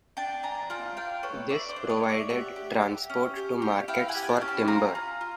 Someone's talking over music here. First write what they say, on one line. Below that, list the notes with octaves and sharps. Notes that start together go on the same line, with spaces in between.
This provided transport to markets for timber.
D4 G5 A5
D4 G#5 A#5
F4 G5 A5
D4 F5 G5
A4 B4 C#5
D4 D5 E5
C5 D5
D4
C#5 D#5
D4
D5 E5
G4 E5 F#5
G4
G4
C#4
G4
G4
E4 F5 G5
F#5 G#5
G4
G#5
G5 A5
C#4
A5 B5
F4 G#5 A#5
F4
F4